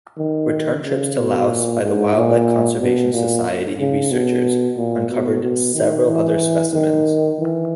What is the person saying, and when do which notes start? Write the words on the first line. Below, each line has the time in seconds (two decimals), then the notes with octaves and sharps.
Return trips to Laos by the Wildlife Conservation Society researchers uncovered several other specimens.
0.19 D#3
0.85 C#3
1.17 B2
1.49 A#2
1.83 G#2
2.16 A#2
2.80 B2
3.14 A#2
3.80 C#3
4.11 B2
4.77 A#2
5.10 B2
5.42 B2
5.75 D#3
6.08 E3
6.74 D#3
7.39 E3